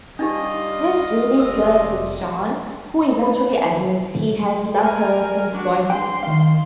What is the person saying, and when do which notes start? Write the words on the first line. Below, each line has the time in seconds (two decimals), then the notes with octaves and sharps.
Miss Julie flirts with John, who eventually admits he has loved her since boyhood.
0.19 G3 D4 D#4 F4 G4 D#5
1.40 F1 G3 E6
3.22 B4
4.79 A#4 G#5
5.52 D4 F#4
5.90 G5 C6
6.23 D#3 F5